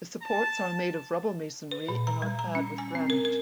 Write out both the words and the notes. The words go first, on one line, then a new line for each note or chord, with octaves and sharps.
The supports are made of rubble masonry and are clad with granite.
A5
B4
A#2
A#5
G3
A#5
C#4
G#5
C4
A#4
A#4